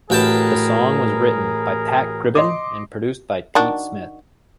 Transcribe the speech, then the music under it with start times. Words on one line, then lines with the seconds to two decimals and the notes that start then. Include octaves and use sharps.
The song was written by Pat Gribben and produced by Pete Smith.
0.10 A1 F#4 G#4 A#4 B4 G5 A5
2.35 D#5 C6 D6
3.55 D#3 D4 F#4